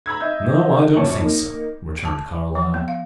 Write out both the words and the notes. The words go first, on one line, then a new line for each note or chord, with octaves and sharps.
"No, I don't think so," returned Carlyle.
A#5 B5 E6 G#6
D#5 E5 E6 G6
A#1 F#2 C#5 A5 D6 C#7
A#3 D#4
A5
F3
B3
F5